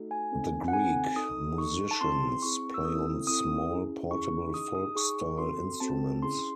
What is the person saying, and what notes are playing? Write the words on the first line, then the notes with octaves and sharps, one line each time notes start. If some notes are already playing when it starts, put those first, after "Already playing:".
The Greek musicians play on small portable folk style instruments.
Already playing: A3 D#4 F#4 A4
G#5
C4 D#4 A4
F#5
C4 D#4 A4 G#5
D#4 A4 D#6
D#4 A4 C#6
A5
C4 E4 G#4 C6
C4 E4 G#4 C#6
E6
C4 E4 A4 D#6
C4 E4 A4 D#6
C#4 E4 G#4
C#4 E4 G#4 C#6
D#4 G#4 D#6
D#6
D#4 G#4 C#6
C4 F#4 A4 C6
C4 F#4 A4 A5
C#4 E4 G#4 C6